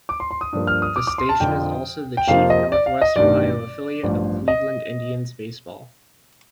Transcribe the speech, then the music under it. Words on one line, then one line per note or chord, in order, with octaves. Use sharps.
The station is also the chief Northwest Ohio affiliate of Cleveland Indians baseball.
D6
C6
C6
D#6
G2 F3 A#3
F6
D#6
D6
D6
C6
A5
F2 D3 F3 G5
G5
F2 C3 F3 A#3 F5
D#5
D5
F5
D#5
A1 G2 D#3 G3 D5
A1 G2 F3
D#5